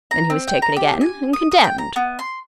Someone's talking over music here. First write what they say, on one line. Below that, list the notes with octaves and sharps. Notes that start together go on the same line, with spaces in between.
Then he was taken again, and condemned.
A#5
C4
G5
A#5
G4
G#5
D#6
D#6
G5
A#5
B3
C6